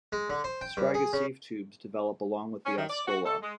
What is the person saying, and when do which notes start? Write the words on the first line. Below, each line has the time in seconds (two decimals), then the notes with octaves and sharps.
"Striga" sieve tubes develop along with the oscula.
0.12 G#3
0.30 D3
0.44 C5
0.61 G5
0.77 G2
0.94 G#4
1.13 C#3
2.66 C#4
2.78 D#3
2.90 D5
3.08 F#4
3.26 A4
3.42 G#3